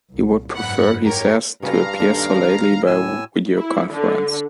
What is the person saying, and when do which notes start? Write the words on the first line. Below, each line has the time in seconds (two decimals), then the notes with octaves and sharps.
He would prefer, he says, to appear solely by video conference.
0.10 C2 A#2
0.55 F#1 G#2 F#5 B5 F#6
1.03 G4 A#4 C#5
1.62 G2 C#3 F#4 B4 F5 A#5
2.00 D#2 D4 A4
2.87 A2 G#5 E6
3.55 E4
3.90 D3